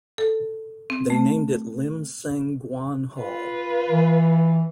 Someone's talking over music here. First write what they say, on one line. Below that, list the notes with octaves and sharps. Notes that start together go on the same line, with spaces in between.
They named it Lim Seng Guan Hall.
A4
C4
A3
F4 B4
E3